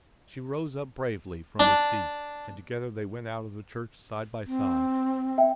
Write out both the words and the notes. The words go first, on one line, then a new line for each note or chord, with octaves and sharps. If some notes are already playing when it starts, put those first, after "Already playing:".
But she rose up bravely from her seat, and together they went out of the church side by side.
D4
C4
E5 G5